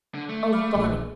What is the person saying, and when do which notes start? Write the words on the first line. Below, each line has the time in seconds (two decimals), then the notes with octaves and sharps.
Oh, Bonnie!
0.15 D3
0.29 A3
0.53 D5 F5 B5
0.76 A#1 G#3